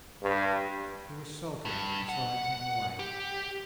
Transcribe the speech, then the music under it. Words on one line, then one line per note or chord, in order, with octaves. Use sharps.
He was sulky, and so I came away.
G2
G2
F#5
G4